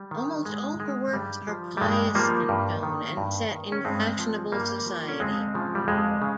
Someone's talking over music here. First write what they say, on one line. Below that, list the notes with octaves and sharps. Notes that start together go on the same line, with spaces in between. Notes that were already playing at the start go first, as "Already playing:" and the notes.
Almost all her works are pious in tone and set in fashionable society.
Already playing: G3
D#3
G#2 G#3
D#3 G#3
G2 G3
F3
G3
G2 G#3
F3 G3 A#3
G2
D#3
G2
D#3
C#4
G2 G#3 C4
F3
G2 G3 A#3
F3
C#4
F2 G#3 C4
C#3 F3
G3
F2 G#3
C#3